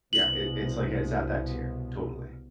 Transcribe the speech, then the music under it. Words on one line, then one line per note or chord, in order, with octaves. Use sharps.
yeah, it it's like it's at that tier, totally,
C2 B2 F#7